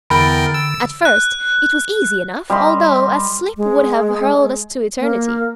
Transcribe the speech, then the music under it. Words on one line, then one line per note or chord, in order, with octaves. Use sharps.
At first it was easy enough, although a slip would have hurled us to eternity.
E2 D3 A#4 G5 B5
E6
F#6
G3 D#5 C6
G#3
A#3